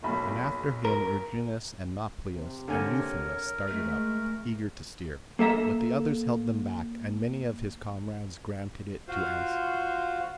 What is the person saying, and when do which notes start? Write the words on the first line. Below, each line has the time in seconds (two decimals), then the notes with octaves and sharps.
And after him Erginus and Nauplius and Euphemus started up, eager to steer. But the others held them back, and many of his comrades granted it to Ancaeus.
0.03 F#1 B1 B5
0.85 A#4
2.35 C3
2.68 D3 A#4 C#5 G#5
3.67 G#3 A3
5.39 A#3 A4 E5 A#5
9.08 F4 F#4 C5 F5